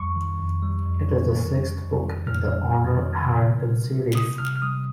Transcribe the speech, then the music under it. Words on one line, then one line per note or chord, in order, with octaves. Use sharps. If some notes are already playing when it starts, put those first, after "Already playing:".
It is the sixth book in the Honor Harrington series.
Already playing: F2 G3 C#6
D#3
F2
G3
F2
D#3
F2
G3
F2
D#3
F2 F6
G3
F2
D#3
C3
C3
G3
G3
C3 D#6
C3 F6
F6
G3 D#6